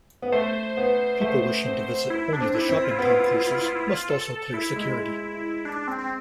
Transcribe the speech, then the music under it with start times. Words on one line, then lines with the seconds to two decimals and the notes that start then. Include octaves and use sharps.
People wishing to visit only the shopping concourses must also clear security.
0.22 B3
0.32 A3 C5
0.77 B3
1.21 A3 C5
1.66 C4
2.10 E4
2.33 D4
2.40 C4
2.55 E4
2.69 C4
2.77 E4
2.84 F4
2.91 E4
2.99 B3 F4
3.05 E4
3.12 F4
3.19 E4
3.26 F4
3.32 E4
3.40 F4
3.47 E4
3.55 F4
3.61 E4
3.68 F4
3.75 E4
3.88 F4
4.10 A4
4.32 A4
4.54 E4
4.76 G#3 E4
5.65 D4
5.88 C4
5.98 C4